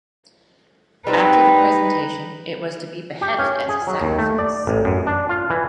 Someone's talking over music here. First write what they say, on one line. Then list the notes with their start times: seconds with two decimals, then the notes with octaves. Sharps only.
After the presentation, it was to be beheaded as a sacrifice.
1.07 G3 B3 C4 D#4 B4
3.21 G4
3.39 C#4
3.69 G#4
3.87 F#3
4.01 D#2
4.19 A3
4.38 D5
4.67 A1
4.85 F#2
5.07 D4
5.29 F4
5.50 E3